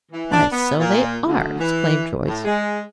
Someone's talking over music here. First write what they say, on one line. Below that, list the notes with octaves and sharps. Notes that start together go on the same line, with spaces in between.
"Why, so they are!" exclaimed Joyce.
E3
D4
B3
A#2
D2
E3
A2
G#3